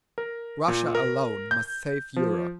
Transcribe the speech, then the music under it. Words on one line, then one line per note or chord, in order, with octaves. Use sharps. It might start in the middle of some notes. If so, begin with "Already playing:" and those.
Russia alone must save Europe.
A#4
A#2
A#4
G6
F3